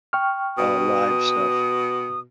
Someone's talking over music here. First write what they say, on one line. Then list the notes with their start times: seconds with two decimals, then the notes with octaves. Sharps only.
uh, live stuff.
0.13 G5 C#6 F6
0.57 B2 D#6